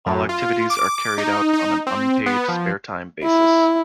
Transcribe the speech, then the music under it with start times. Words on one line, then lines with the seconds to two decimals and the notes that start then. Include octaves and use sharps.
All activities are carried out on an unpaid, spare time basis.
0.06 F#2
0.29 F4
0.70 D6
1.18 D#4
1.53 D#4
1.87 C4
2.26 B3
2.48 F3
3.23 E4